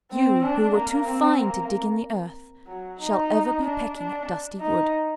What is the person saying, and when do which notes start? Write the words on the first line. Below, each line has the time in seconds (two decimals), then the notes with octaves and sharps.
You who were too fine to dig in the earth shall ever be pecking at dusty wood.
0.11 C4
0.43 D4
0.75 A#3
1.08 C4
1.39 A#3
2.67 F#3
3.00 D#4
3.64 D4
3.96 D4
4.60 D#4